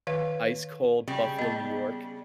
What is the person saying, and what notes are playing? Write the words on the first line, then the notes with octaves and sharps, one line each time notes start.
ice cold Buffalo, New York.
D#3 B4 F5
C#3 G3
B3 D#5